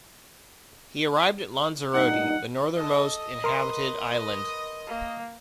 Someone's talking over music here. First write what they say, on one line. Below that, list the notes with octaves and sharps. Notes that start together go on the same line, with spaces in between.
He arrived at Lanzarote, the northernmost inhabited island.
G2 A#2 D#4 F#5
A4 D#5
A#4 B4 C6
A#3